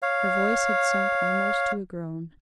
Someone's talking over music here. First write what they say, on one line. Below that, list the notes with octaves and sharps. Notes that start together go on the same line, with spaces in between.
Her voice had sunk almost to a groan.
C#5 F5